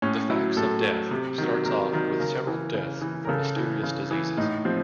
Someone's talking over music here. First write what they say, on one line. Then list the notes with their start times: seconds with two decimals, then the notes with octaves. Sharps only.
"The Facts of Death" starts off with several deaths from mysterious diseases.
0.02 A2 C#4
0.29 F#3 E4
0.56 A2 A4
0.84 F#3
1.11 C3
1.38 D#3 F#3
1.65 C3 A#4
1.92 D#3 F#3 A#4
2.20 C#3 A#4
2.47 E3
2.74 C#3
3.01 E3
3.25 A#4
3.29 C#3 A4
3.56 E3
3.83 C#3
4.11 E3
4.37 A2 D#4
4.65 F3 C4